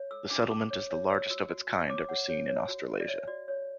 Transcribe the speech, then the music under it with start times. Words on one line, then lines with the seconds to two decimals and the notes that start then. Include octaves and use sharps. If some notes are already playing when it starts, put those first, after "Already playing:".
The settlement is the largest of its kind ever seen in Australasia.
Already playing: C#5
0.11 A4 E6
0.30 D4 D6
0.50 A4 D6
0.70 C#5
0.90 C#5
1.10 C#5 E6
1.30 F#4 E6
1.50 F#4
1.69 F#4
1.89 C#5 D6
2.09 C#5 F#5
2.29 C#5
2.48 C#5
2.68 F#4
2.88 F#4
3.00 D5
3.08 C#5 E5
3.27 F#4 D5
3.48 C#5